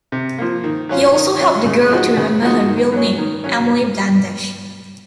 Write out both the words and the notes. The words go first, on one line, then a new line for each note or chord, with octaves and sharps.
He also helped the girl to remember her real name: Emily Blandish.
C3
F3 A#3
D#3
F#3 C#4 F4
D#3
F#3 C#4 F4
C#3
F3 G#3 D#4 F#4
C#3
F3 G#3 D#4 F#4
D#3
F#3 C#4
D#3
F#3 C#4